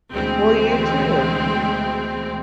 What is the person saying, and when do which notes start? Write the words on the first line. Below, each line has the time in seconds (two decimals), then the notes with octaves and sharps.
Well, you too.
0.12 D2 B2 E3 G#3 C4